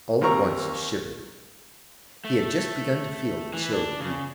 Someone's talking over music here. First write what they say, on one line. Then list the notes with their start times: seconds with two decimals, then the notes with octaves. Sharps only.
All at once he shivered; he had just begun to feel the chill of evening.
0.21 D#2 C4 A#4 A#5 C#6
2.24 A3
3.53 E3
3.73 D4
4.00 C#3